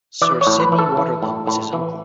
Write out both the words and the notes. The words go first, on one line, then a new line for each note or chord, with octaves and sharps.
Sir Sydney Waterlow was his uncle.
E3 D5
C#5
A2
B4
E3
A4
E3
A2
A2
E3